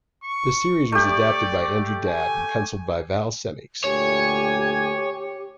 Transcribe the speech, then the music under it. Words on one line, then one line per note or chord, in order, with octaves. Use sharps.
The series was adapted by Andrew Dabb and pencilled by Val Semeiks.
C#6
A3 G4 D5
G#5
D2 A#2 G4 C#5 G#5